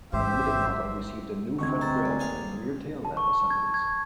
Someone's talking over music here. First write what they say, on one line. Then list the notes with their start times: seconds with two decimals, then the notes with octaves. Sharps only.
The Limited model received a new front grille and rear tail lamp assemblies.
0.13 A1 G#2 G4 C5 E5
1.59 G1 D2 G#3 C4 C#6 G#6
1.81 C5 A#5 A6
2.06 D2 A4 D5 G#5
2.20 D#2 G#4 F5
3.05 A5
3.17 C#6
3.50 G#6
3.74 G#6